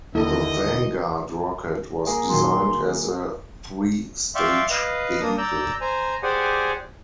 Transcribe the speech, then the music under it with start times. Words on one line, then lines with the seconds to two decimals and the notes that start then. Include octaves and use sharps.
The Vanguard rocket was designed as a three-stage vehicle.
0.15 D#2 D3 A#3 E4 A4 D#5
2.07 A#3 G#4
2.29 A#2 D#3 F#3 C6
4.35 D5 E5 F5 G5 C6 C#6
4.70 B4 D#5 F5
5.20 A#3 D4 D#6
5.38 D5 A#5 E6 G6
5.81 C5 G#5 A#5
6.23 G4 G#4 C5 D5 F#5 G#5